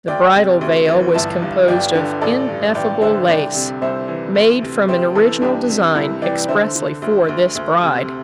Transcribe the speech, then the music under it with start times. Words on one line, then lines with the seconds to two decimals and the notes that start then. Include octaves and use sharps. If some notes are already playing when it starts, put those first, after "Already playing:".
The bridal veil was composed of ineffable lace, made from an original design expressly for this bride.
0.08 D2 D5 G5
0.35 C3
0.61 D2
0.88 E3
1.14 G1 E5 A5
1.42 G2
1.68 G1 D5 G5
1.95 D3
2.21 A1 A4 D5
2.48 G2
2.75 A1 D5 G5
3.01 D3 C5 E5
3.28 C2 D5 G5
3.55 C3
3.82 C2 C5 E5
4.08 E3
4.35 D2
4.62 C3
4.88 D2 G4 C5
5.15 E3 E4 A4
5.42 C2 D4 G4
5.69 C3
5.95 C2 E4
6.22 E3 D5 G5
6.48 D3 C5 E5
6.76 D3
7.02 D2
7.29 D2
7.55 D2
7.82 C3